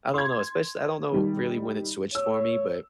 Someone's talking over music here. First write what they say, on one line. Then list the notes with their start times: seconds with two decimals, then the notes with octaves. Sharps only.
I don't know espec I don't know really when it switched for me, but,
0.14 C6 G#6
1.13 D#3 G3
2.15 C#5 E6